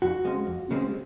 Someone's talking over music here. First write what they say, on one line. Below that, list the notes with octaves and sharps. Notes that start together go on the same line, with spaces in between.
You too.
F2 F#4
C#3 G#3 C4
F2
C#3 G#3 C4